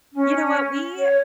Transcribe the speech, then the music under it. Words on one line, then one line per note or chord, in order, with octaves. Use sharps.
You know what? We,
C#4
C#5